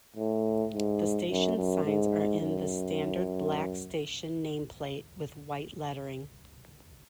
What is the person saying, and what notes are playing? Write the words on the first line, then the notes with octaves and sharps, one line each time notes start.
The station signs are in the standard black station name plate with white lettering.
A2
G#2
F#2
F#2
G#2
F#2